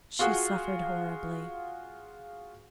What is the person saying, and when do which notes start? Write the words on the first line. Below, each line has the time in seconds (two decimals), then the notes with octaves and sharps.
She suffered horribly.
0.19 F4 F#4 G#4 F#5